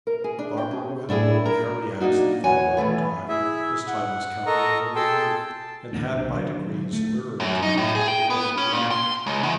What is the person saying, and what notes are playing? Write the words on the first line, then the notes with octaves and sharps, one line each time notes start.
Scarborough had known Harry Annesley for a long time, as time is counted in early youth, and had by degrees learned to hate him thoroughly.
A#4
G#4
D4
G5
C#4
A2 D4 E4 G#4
A#4 A#5
A#3 D4 D#4 F#4
E2 C#5 F#5 G#5
E3 F#3 A3 B3
E4 G#4 E5
F#5
A4 A#4 D#5 A#5 C#6
G#4 A4 G5 A5 C6 E6
A5
D3 F3 A#3 C4
B1 D4
D3 D#3 F#3 C4
A3
F#2
D#4
A2
G#4
G5
B3
C#4
A#2
C6
C#2
E2